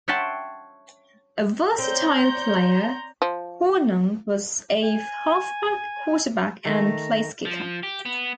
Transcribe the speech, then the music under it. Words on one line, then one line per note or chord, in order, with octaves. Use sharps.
A versatile player, Hornung was a halfback, quarterback, and placekicker.
C#5 E5 F#5 G5 A5 C6
C4 C#5 D5 A#5 C6 G6
F3
G#5
D#3 A3 A#5
F3
G4
B3